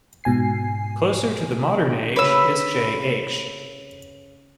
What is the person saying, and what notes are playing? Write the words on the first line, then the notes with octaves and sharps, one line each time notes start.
Closer to the modern age is J.-H.
G#2 B2 G#5 C7
C#3 B4 C#5 E6